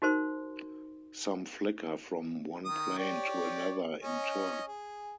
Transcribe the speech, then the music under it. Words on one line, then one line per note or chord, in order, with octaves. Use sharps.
Some flicker from one plane to another in turn .
D#4 F#4 A#4 C5 C6
D#3 D#6
G4 C#5 D5
C#4 D#5
G#4